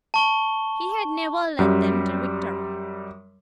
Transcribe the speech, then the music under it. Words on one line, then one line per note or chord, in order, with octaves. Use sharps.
He had never led them to victory.
A5 C#6 G7
F#2 G3